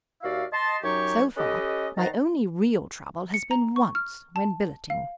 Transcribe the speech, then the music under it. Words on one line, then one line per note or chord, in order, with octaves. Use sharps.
So far my only real trouble has been once when billeting.
D#2 F#4 D5 E5 F5
D#5 A5 C6
F#2 F#3 D#4 G4 C#5 C#6
C#4 G4 A4 B4 D#5
D#3 C5 F#5 A5 A#5
C#7
A#5
C#6
F6
A5
F5